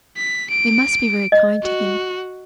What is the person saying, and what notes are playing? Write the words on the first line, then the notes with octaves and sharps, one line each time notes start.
We must be very kind to him.'
B6
D7
D#5
F#4